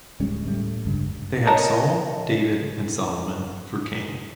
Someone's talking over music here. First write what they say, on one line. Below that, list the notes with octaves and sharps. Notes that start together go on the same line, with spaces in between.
They had Saul, David and Salomon for king.
D1 G3 G#3 C#4
A2 G3 A3
G1 C#2 G2
A#4 C#5 D#5 A5